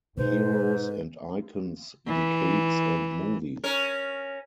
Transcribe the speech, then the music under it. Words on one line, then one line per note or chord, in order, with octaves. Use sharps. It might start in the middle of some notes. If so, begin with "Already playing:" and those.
Heroes and Icons, Decades, and Movies!
G#2 B2 D#4 B4 C5
E3
C#4 A#4